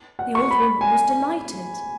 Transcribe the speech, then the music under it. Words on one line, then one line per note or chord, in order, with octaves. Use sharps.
The old woman was delighted.
F#5
C#6
B5
G#5